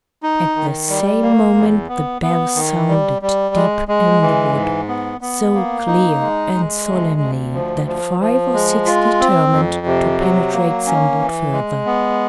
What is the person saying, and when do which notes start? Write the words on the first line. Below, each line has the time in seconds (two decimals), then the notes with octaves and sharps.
At the same moment the bell sounded deep in the wood, so clear and solemnly that five or six determined to penetrate somewhat further.
0.23 D#4
0.56 D#3
0.89 G3
1.23 A#3
1.55 E2
1.88 B3
2.22 B3
2.55 D#3
2.89 G3
3.22 G3
3.55 G#3
3.88 G#3
4.22 E3
4.55 G#2
4.88 B3
5.21 B3
5.54 A#3
5.87 D#4
6.21 G#3
6.54 G#3
6.87 D2
7.21 D2
7.54 F3
7.87 F3
8.20 F3
8.53 G#3
8.86 F4
9.20 C4
9.53 F2
9.86 C3
10.20 F#3
10.53 A#3
10.86 C#4
11.19 E3
11.52 G#3
11.86 B3